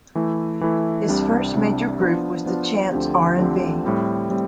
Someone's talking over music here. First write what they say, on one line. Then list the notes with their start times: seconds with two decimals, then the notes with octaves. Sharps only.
His first major group was the Chants R and B.
0.15 E3 A3 E4
0.61 E3 A3 E4
1.08 C2 C3 G3 D4
1.54 C2 C3 G3 D4
2.00 F3 B3 D4 F4
2.46 F3 B3 D4 F4
2.92 D2 D3 F3 C4 G4
3.37 D2 D3 F3 C4 G4
3.84 A2 G3 C4
4.30 A2 G3 C4